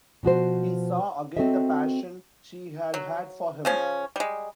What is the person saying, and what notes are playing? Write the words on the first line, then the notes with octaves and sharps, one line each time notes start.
He saw again the passion she had had for him.
B2 F3 F#4 C5
C4 C#4 F#4 A4 D#5 E5
F#3
C#3 F3 C#4
G3 G#3